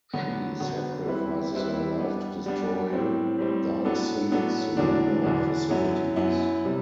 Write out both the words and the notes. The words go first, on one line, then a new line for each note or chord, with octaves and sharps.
She sacrifices her life to destroy Darkseid's lunar facilities.
D3 F#3 B3 F#4
D3 F#3 B3 F#4
G3 C4 E4 B4
G3 C4 E4 B4
G3 B3 D4
G3 B3 D4
A2 G3 C4
A2 G3 C4
A2 F#3 B3 D4 A4
A2 F#3 B3 D4 A4
E2 D3 F#3 B3 D4
E2 D3 F#3 B3 D4
F#2 F#3 B3 E4
F#2 F#3 B3 E4
C3 G3